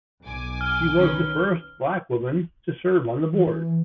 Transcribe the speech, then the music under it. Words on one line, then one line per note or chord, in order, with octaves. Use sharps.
She was the first black woman to serve on the board.
B1 G#5 D6
F6
D#3 C#4 B4
E3